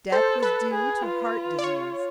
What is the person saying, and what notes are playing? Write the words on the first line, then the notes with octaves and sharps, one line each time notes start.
Death was due to heart disease.
A4 C5
A4 B4
G#4
F4
D5
C#5